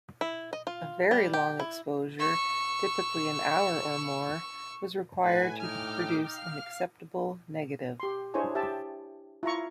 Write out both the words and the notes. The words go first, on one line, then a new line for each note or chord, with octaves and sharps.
A very long exposure-typically an hour or more-was required to produce an acceptable negative.
E4
D#5
F4
G3
G4
E4
C#6 E6
A2 B4 F#5 G#5
D#4 G5 D6 F6
F5 F6
G4 C6
D4 E4 G#4 C5 C#5 G#5
G4 E5 G5 A5
E4 F4 A#5 C#6